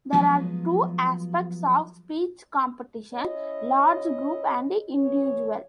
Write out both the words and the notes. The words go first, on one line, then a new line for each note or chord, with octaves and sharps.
There are two aspects of speech competition: large group and individual.
F3 F#3 G#3 B3
C#4 E4 C#5 D#5
E3 G#4 C#5